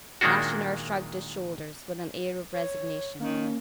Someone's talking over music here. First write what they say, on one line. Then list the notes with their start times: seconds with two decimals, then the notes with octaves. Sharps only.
Lacheneur shrugged his shoulders with an air of resignation.
0.21 A#2 D#3 G#3 A#3 D4 F#4
2.55 C#5
3.20 D#3 A#3 C#4